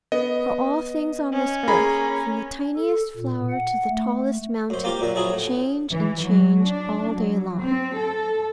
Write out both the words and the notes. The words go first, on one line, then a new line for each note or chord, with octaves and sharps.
For all things on this earth, from the tiniest flower to the tallest mountain, change and change all day long.
B3 D#5
C#4
A#3 G#4 A#5 B5
A4
A#2
F#5
A3
F#2 C5
A#3 F4 G4 C5 F5
F#2 A#2 A#4
F3 F#3 E4 G#4
A2
E3
F#3
D4
F#3
C4
A4